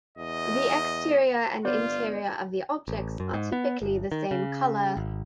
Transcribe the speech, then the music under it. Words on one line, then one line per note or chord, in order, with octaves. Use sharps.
The exterior and interior of the objects are typically the same colour.
E2 D#5
G1 B3 F4 D5 G6
A1
F#2
G#2
B3
G1
D#3
C#3
G#1